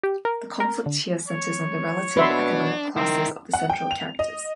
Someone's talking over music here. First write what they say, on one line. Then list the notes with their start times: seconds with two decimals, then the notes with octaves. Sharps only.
The conflict here centres on the relative economic classes of the central characters.
0.03 G4
0.25 A#4
0.60 A#4
0.86 D3
1.28 C#5
2.17 B2 D4 B4 E5 C6
2.97 D#3 C4 E4 A#4
3.53 F#5
3.70 G5
3.91 F7
4.19 D#5